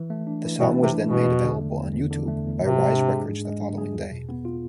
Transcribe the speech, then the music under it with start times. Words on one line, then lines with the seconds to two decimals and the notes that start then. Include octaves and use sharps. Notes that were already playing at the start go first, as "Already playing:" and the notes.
The song was then made available on YouTube by Rise Records the following day.
Already playing: E3
0.10 A3
0.27 D4
0.44 E3
0.60 B2 E3
0.77 A3
0.83 C3
0.94 D4
1.05 B2
1.10 E3
1.27 E2
1.44 D3
1.61 A3
1.78 E2
1.94 E2
2.11 D3
2.28 A3
2.45 E2
2.62 G#2 C3
2.78 G#3
2.95 D4
3.11 G#4
3.28 G#2
3.45 G#3
3.62 D4
3.78 G#4
3.96 E2
4.11 B2
4.29 B3
4.45 F4